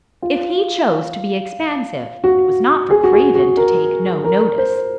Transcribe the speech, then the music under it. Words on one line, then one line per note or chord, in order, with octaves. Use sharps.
If he chose to be expansive, it was not for Craven to take no notice.
F4
F#4
G#4
F#4
G#4
F#4
A#4
A#4
C5